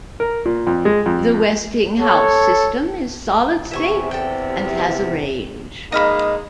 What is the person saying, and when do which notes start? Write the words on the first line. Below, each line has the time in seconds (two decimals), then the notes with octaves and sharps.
The Westinghouse system is solid state and has a range.
0.20 A#4
0.45 A#2
0.67 F2
0.85 G#3
1.06 F2
1.99 A4 C#5
3.71 E2 C3 E5 G#5 C#6
4.11 A4 G5
5.92 G#3 A#3 D#4 D#5 F5 B5